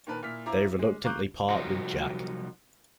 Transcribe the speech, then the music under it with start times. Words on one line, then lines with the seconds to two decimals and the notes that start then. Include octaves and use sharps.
They reluctantly part with Jack.
0.07 A#2 D#3 A#4 B4 A5
0.23 A#2 E4 F6 B6
0.46 E4 F4 C5 A#5 D6
0.79 G#3
1.04 F5 A#5 C#6 D6 F#6 G6
1.49 C2 F3 F#3 D#4 F#4 G4